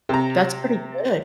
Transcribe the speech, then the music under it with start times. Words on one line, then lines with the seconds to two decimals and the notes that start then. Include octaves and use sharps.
That's pretty good.
0.09 C3 A#5